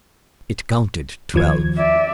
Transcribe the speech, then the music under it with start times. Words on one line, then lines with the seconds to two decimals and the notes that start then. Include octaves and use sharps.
It counted twelve.
1.34 D#2 F3 G#6
1.78 D5 E5